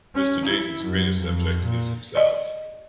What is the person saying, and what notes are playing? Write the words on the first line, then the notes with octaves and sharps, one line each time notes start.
Mr. Daisey's greatest subject is himself.
C#4
E4
F#2
F2
A#2
D5 D#5